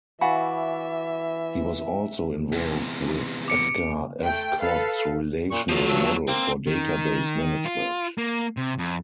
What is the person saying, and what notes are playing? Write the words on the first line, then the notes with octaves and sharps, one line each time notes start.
He was also involved with Edgar F. Codd's relational model for database management.
E3 F#4 D5 E5 F5 G#5 B5
E2 C3
D6 C#7 D7
A3 G5
A4 B4 F5
A#2 C#6
E2 F3 F#3
G2 E6
A#3 C4
D#3
F4
A#3
C3
F2